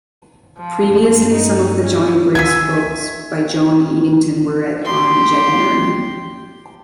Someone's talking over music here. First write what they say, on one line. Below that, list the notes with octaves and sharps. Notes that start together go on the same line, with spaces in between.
Previously some of the Jonny Briggs books by Joan Eadington were read on Jackanory.
F3
G2
D#4
C#4
D#3 E5 G#5 E6 G#6 B6
G4 C6